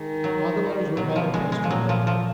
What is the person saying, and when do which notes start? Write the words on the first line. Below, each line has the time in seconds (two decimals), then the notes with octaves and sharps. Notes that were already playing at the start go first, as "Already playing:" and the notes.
All the letters were read and passed around.
Already playing: D#3 G#3
0.24 F#3
0.97 B2 F#3
1.16 F3
1.34 G#3
1.52 G#3
1.64 F3
1.70 A#2 F#3
1.89 F3
2.07 F3